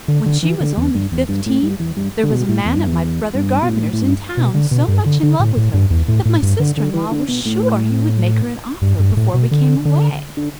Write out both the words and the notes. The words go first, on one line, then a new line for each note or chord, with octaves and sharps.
When she was only fifteen, there was a man at my brother Gardiner's in town so much in love with her that my sister-in-law was sure he would make her an offer before we came away.
D3
D3
E3
D3
E2
G2
E2
G2
A2
G2
E2
G2
D3
B2
A2
E2
G2
E2
G2
B2
A2
A2
G2
B2
D3
B2
G2
D3
D3
A2
A2
G2
E2
A2
A2
G2
D3
D3
E3
D3
B2
A2
G2
G2
A2
B2
D3
D3
D3